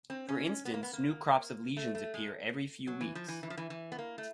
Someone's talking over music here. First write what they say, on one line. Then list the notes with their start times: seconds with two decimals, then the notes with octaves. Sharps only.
For instance, new crops of lesions appear every few weeks.
0.10 C4
0.29 C#4
0.47 C#4
0.65 B3
0.74 A#3
0.83 B3
0.93 A#3
1.77 A3
1.95 A3
2.14 G#3
2.87 F#3
3.01 E3
3.15 F3
3.28 E3
3.43 E3
3.50 F3
3.57 E3
3.70 E3
3.92 B3
3.99 A#3
4.18 A3